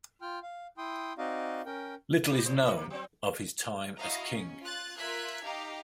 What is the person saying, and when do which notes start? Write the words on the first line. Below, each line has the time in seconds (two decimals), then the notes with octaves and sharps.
Little is known of his time as king.
0.22 F4 G5 F6
0.43 F5
0.78 E4 G5 C6 D#6
1.18 C4 D#4 F#4 D5 D#5 F5
1.66 C#4 A#4 G5
2.29 G3 A#3 D#4
2.45 A2 G#3 C5
2.63 E4 F#4 B4
2.76 C3 A#3
2.90 F#3 C4
3.97 E4 F#4 D#5 F5 A#5
4.30 C#4
4.61 F4 F#6 A6
4.97 F4 A#4 E5 F#6 G#6 B6
5.44 D#4 G4 F5 A#5